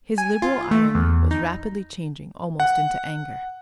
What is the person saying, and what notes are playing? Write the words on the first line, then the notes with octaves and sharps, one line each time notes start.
His liberal irony was rapidly changing almost into anger.
G#5
F4
A3
E2
D#4
F#5